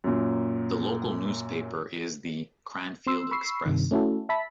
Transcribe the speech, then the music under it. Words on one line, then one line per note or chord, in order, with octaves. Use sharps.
The local newspaper is the "Cranfield Express".
F#2 A#2
C4 C6 E6
B5 C#6 E6 C7
G2 C3 D#3
A3 C#4 E4 F#4 A4
E5 A5 B5 B6